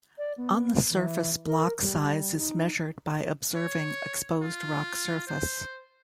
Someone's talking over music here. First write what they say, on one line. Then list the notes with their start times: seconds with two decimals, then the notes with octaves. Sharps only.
On the surface block size is measured by observing exposed rock surface.
0.18 D5
0.37 B3
0.90 E3
1.47 A#4
1.81 G3
2.38 D#4
3.56 C#5
4.42 F4
5.27 C5